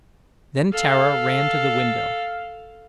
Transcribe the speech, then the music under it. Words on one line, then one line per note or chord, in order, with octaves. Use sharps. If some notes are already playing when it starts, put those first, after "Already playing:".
Then Tara ran to the window.
A4 F5